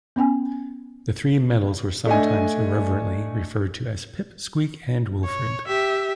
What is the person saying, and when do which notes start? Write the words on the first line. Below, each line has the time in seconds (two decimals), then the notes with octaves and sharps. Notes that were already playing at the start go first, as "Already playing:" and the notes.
The three medals were sometimes irreverently referred to as "Pip, Squeak and Wilfred".
0.16 B3 C#4 G5 G#5
2.07 A3 D4 D#5 G#5
5.24 C#5
5.67 G4 E5